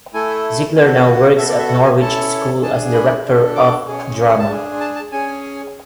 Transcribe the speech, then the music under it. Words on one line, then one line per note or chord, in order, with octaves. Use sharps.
Ziegler now works at Norwich School as Director of Drama.
A3 E4 A4 G#5
B3 F#4 A4 G#5
B4
A4
B4
F#5
B3 F#4 A4 E5
D5
E5
F#5
G#5
C#4 E4 A4 A5
D4 G#4 A5
B5
D4 A4
D6
C#4 G#4
F#5
A5
D4 G#4
A5
A5
C#4 G#4 G#5